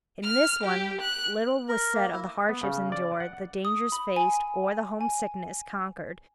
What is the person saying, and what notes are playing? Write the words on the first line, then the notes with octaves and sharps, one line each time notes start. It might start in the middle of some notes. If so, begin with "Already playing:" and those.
In this one little was said of the hardships endured, the dangers faced, or the homesickness conquered.
F6
G4
F#6
A#4
A#3
E4
B3
C#3
D5
F#5
D#6
B5
G#5
G#5